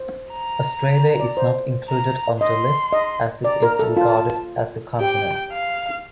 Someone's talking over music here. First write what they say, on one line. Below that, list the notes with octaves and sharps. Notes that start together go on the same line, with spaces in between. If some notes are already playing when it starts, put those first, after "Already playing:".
Australia is not included on the list as it is regarded as a continent.
Already playing: C5
A#5
D5
C5
A#5
D#5 C6
D#5
D5 A#5
A#4
A4
F4 A5
G4 G5
F5